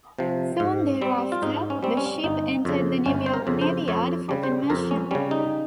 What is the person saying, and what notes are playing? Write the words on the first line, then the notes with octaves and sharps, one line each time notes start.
Soon thereafter, the ship entered the New York Navy Yard for conversion.
C3 F3
G#2
G3 C4
F4
G#2 D#4
C#4
G3 C4
C#4
G1 D#4
F2 C#3
G1 C#4
C5
A#4
F2 C#3
C5
F2 C#5
C#3 G3
C5
F2 A#4
C#4
C#3 G3 C#4
D#4